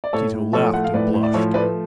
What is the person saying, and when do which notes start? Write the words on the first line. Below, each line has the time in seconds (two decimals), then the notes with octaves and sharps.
Tito laughed and blushed.
0.04 D5
0.13 A2 A4 C#5
0.34 A2
0.53 F3 A4 C#5
0.74 A3 F#5
0.84 F5
0.94 A2 B4 D5
1.14 A2
1.23 D5
1.34 F3 A4 C#5
1.54 A3 B4 D5